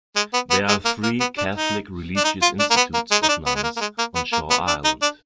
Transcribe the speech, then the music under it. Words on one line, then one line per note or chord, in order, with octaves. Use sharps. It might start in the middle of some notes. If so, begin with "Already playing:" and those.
There are three Catholic religious institutes of nuns on Shaw Island.
G#3
B3
B3
G#3
A#3
A#3
B3
D4
D#4
D4
D#4
F4
D4
A#3
B3
A#3
G#3
D#4
D4
B3
G#3
A#3
A#3
G#3
A#3
B3
A#3
B3
D4
D#4
D4